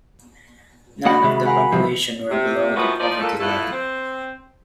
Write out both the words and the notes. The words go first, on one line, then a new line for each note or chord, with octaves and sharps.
None of the population were below the poverty line.
D#2 A#3 F#4 D#5 F#5 B5 A6
C3 D#3 G#3 E5
A#4 F5 F#5 G#5 B5
C2 C3 E3 F3
C3
D#3 F3 B3 C#4 E4 F#4
F3 D#4 D5
A#2 A4
A3 B3 E4 F4 A4
C4